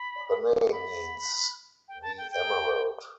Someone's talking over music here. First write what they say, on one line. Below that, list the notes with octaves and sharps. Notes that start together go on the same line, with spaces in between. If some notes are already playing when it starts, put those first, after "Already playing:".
The name means "the emerald".
Already playing: B5
B5
G5
A5
G5
G5